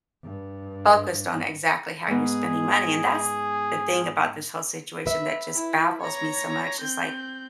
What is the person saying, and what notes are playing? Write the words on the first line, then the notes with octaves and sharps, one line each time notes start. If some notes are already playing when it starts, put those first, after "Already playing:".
focused on exactly how you're spending money and that's the thing about this whole situation that just baffles me so much, is like,
G2
G#2 B3 G#4
B4 E5
E4
C#5 A#5
C4 G6